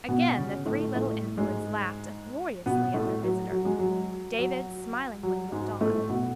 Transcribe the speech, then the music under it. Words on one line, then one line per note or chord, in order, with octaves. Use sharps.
Again the three little invalids laughed uproariously at their visitor. David smilingly looked on.
B2 B3
C#3 C#4
A2 A3
A2 A3
G#2 G#3
B2 B3
A2 A3
F#3
F#3
G#3
F#3
F#3
F#3
G#2 G#3
A2 A3
B2 B3